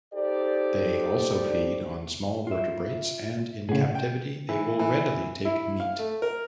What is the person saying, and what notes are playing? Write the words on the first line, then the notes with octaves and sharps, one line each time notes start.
They also feed on small vertebrates and in captivity they will readily take meat.
D#4 G4 A4 C5 D5
F4 E5
A2 C#3 G#4 F#5
G5
E3
E3
E4
F5
A3
A#4